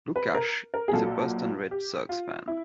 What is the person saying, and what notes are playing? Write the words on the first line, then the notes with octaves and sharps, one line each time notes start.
Lucash is a Boston Red Sox fan.
B4
A#4
A#4
G#4
B1 A#2 F#3 A#3 A4
G4
F4
E4